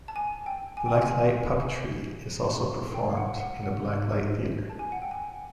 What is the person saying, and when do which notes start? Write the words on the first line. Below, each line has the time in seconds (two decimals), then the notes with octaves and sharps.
Black light puppetry is also performed in a black light theater.
0.08 A5
0.16 G#5
0.46 G5
0.77 G#5
0.86 G5
0.96 G#5
1.08 G#5
2.94 G5
3.10 F5
3.17 F#5
3.40 F#5
3.63 F#5
4.70 A5
4.79 G#5
4.92 F#5
5.02 G5
5.11 G#5